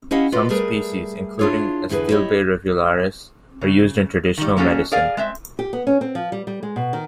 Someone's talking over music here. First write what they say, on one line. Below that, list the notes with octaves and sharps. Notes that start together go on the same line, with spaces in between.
Some species, including "Astilbe rivularis", are used in traditional medicine.
C#4 E4 G4 D#5 F5 F#5
F4 F#4 B4 D5 D#5
G3 A3 G#4 A#4 B4
D4 E4 F4 G#4 C#5
E2 D3 E4 G#4 B4
E4 G4 C#5 D#5
C#3
D#3 G3
G3 A#3 C#4 F#4 G#4 A4
G#4 A#4 D5 F5 G#5
G#3 C4 E5
G4
B3
C#4
C4
F3
G3
G3
G#3
B2
D#3